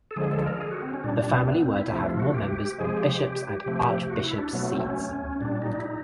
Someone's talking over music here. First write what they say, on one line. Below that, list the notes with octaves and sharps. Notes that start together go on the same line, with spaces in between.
The family were to have more members on bishops' and archbishops' seats.
A4
D3 F3 G#3 G#4
A4
A#4
G#4
F#4
C4
C#4
A#2 G3 D4
D4
C4
B3
C4
E4
C3 F3 A3 E4
F4
F#4
G4
C3 F3 G#3 G#4
G4
C3 F3 A3
F#4
E4
D4
B2 F#3 A3 B3
C4
C#4
A#2 G3 D4
D#4
E4
D#4